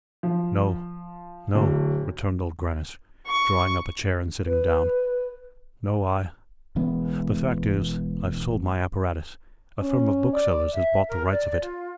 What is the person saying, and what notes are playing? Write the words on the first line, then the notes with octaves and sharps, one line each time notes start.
"No, no," returned Old Grannis, drawing up a chair and sitting down. "No, I--the fact is, I've sold my apparatus; a firm of booksellers has bought the rights of it."
F3
D1
C#6
B4
E1 E3 G#3 B3
C#4
D5
E5
A#4
D5
F4